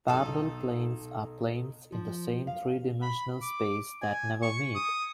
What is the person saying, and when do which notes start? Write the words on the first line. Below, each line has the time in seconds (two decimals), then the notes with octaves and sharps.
Parallel planes are planes in the same three-dimensional space that never meet.
0.08 B1 D#4 A4
1.92 F3
2.47 F5
3.02 B5
3.42 D6
4.02 G#5
4.42 C#6
4.75 D#6